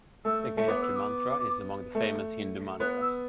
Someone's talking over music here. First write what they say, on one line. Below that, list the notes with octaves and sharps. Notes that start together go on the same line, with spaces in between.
The Gayatri mantra is among the famous Hindu mantras.
A3 E6
A3
B3 D6
E6
D6
A3
B3 F#6
E6